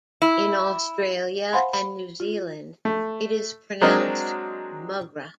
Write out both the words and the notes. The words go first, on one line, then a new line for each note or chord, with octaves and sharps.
In Australia and New Zealand it is pronounced "MuhGrah".
E4
C5 F5 F#5 G#5 B5 C6
B5
F4
A3
F#3 G#3 C4 D4 A#4 D#5